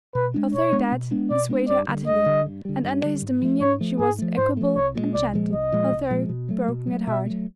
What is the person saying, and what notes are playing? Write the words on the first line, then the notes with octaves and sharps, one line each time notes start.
Although dead, he swayed her utterly, and under his dominion she was equable and gentle, although broken at heart.
B2 B4
G#3 B3 D4
B2 C#5
G#3 B3 D4
B2
G#3 B3 D4
B2 D5
G#3 B3 D4
G2 D5
D3 G3
G2 D#5
D3 G3
G2
D3 G3
G2
D3 G3
G#2
F3 A3
G#2 C#5
F3 A3
G#2 G#4
F3 A3
G#2 C5
F3 A3
C2 C#5
A#2 F3 G#3
C2 D5
A#2 F3 G#3
C2 D#5
A#2 F3 G#3
C2
A#2 F3 G#3
B2
F#3 A3
B2
F#3 A3
B2 E5
F#3 A3